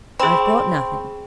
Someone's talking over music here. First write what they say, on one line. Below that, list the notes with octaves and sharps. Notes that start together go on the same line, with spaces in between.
'I've brought nothing.
C4 G#4 B5